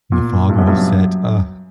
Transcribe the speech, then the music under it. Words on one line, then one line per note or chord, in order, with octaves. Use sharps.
And the fog will have set, ugh.
A#2
G2
F#2
G2
F#2